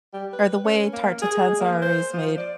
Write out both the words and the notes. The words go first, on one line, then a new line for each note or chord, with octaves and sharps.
or the way tarte tatin's are always made
G3
B4
C#4
A#3
G#4
G#3
A#3
C5
F3
D5